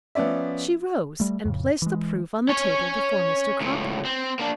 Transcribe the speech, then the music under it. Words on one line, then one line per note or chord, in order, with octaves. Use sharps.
She rose and placed the proof on the table before Mr. Cropper.
F3 B3 C#4 D5 E5
G3 A3
F2 A2 C#3
E3 G#3
C#4 C#5
C#2 A2
C4
A#3 D4